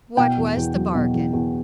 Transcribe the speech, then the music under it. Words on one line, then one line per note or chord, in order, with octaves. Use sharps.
"What was the bargain?"
B2 G5
E2
E2
F#3
B2
E2
E2